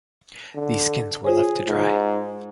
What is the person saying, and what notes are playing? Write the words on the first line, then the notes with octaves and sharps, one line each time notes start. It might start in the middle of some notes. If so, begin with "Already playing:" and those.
These skins were left to dry.
D3
F4 G#4 C5 C#5
G#2